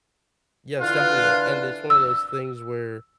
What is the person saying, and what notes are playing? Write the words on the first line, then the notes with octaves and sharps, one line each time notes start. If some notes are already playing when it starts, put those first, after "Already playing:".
Yes, definitely, and it's one of those things where,
D3 E3 F4 F#6
E6